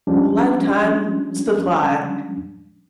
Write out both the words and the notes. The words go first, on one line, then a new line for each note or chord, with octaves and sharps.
A lifetime supply.
F3 G3 G#3 C#4 D4